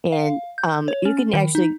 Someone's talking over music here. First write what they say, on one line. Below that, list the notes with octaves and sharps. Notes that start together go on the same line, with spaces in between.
and, um, you can actually
F5
G6
C#5
C#4
D#3
D#4